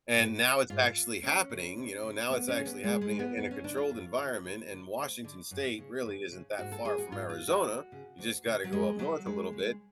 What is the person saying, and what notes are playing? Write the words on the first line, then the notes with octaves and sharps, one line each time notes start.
and now it's actually happening, you know? Now it's actually happening in a controlled environment. And Washington State really isn't that far from Arizona, you just gotta go up north a little bit,
G#2 F#4
G#2 F4
D2 C#4
C#3
D2
C#3
D2 B3
C#4
C#3
B3
D2 G#3
G#3
C#3
B3
F2 B3
C#4
D3 D4
F4
F2
D3
D2
D3
D2
D3
F#2
C#3
F#2
C#3
G#2 F#4
A4
G#4
F#4
G#2 F4
F4
F#4
D2
C#3
D2
C#3
F#3
F2 G#3
C#3 F#3
F2 G#3
C#3